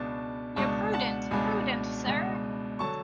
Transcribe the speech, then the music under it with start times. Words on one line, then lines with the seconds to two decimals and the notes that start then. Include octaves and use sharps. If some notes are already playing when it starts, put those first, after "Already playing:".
You're prudent, prudent, sir!
Already playing: C#2 B2 G#3 D4 A5 C#6
0.56 C#2 B2 G#3 D4 A5 C#6
0.93 F#5 A5
1.31 C#2 B2 G#3 D4 G#5 B5
2.06 C#2 B2 G#3 D4
2.79 D3 F#3 A5 C#6